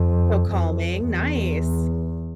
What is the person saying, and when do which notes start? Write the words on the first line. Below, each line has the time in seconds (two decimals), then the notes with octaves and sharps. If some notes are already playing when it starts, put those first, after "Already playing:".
So calming, nice.
Already playing: F2
0.51 F2
1.08 E2